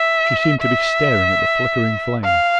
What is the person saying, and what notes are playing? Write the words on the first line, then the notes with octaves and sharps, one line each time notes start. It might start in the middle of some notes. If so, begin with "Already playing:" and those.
She seemed to be staring at the flickering flame.
Already playing: E5
E5
F5